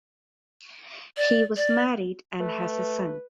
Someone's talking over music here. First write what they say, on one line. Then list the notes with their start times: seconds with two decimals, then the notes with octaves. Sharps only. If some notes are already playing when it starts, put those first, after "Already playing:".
He was married and has a son.
1.17 D5
1.57 D5
2.40 A3 B4